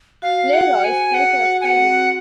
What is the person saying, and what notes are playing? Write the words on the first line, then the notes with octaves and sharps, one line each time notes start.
LeRoy's health was failing.
F#4 F5
G#4 F#5
C5 G#5
G#4 F#5
F#4
G#5
F#5
C4